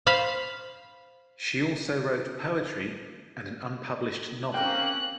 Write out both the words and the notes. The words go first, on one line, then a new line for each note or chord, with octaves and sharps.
She also wrote poetry and an unpublished novel.
C5 F5 B5
A#3 C4 C#4 G5 F#6